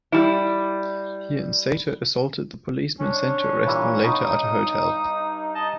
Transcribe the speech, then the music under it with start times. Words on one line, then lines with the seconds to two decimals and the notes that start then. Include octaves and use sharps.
He and Saito assaulted the policemen sent to arrest them later at a hotel.
0.12 G3 E4
2.99 C#4 D4
3.66 G2 A#2 E3
4.03 G2 B3 C#4 D#4 D#6
5.55 D#5 A5